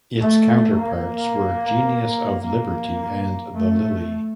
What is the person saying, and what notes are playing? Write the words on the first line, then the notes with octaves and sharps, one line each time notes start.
Its counterparts were "Genius of Liberty" and the "Lily".
A3
A#3
A#3
A3